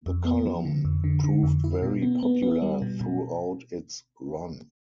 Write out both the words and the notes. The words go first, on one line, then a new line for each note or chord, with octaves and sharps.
The column proved very popular throughout its run.
F2
B3
F3
D3
F2
D3
D3
F2
E4
B2
B3
B3
B3
G3
B2
B2